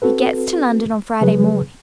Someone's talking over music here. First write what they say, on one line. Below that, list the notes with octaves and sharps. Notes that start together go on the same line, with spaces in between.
He gets to London on Friday morning.
C4 F#4 A4 B4
C#3 F#3 G3 G#4 B4